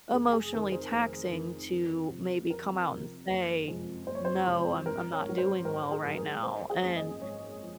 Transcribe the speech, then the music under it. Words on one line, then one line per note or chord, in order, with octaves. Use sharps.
emotionally taxing to maybe come out and say, “No, I'm I'm not doing well right now." And,
F1 G#4
G#4
F2 D#3 A#4
C5
F1 A#4
F2 D#3
F2
C3 F3
F2 A#4
C3 F3
F#1
F2 C3 F3 G#3
F#1 C5
C#5
C5
F2 C3 F3 G#3
G#1 A#4
C#5
G#2 F#3
C5
G#1 A#4
G#4
G#2 F#3
A#4
G#1 C5
G#4
F#2 F3 A#3
D#5
G#1 C#5
F3